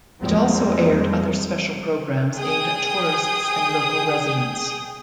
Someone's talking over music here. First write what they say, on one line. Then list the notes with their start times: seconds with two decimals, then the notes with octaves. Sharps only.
It also aired other special programs aimed at tourists and local residents.
0.20 F2 F3 G3 G#3 A#3 C4
2.37 G#4 G5 D#6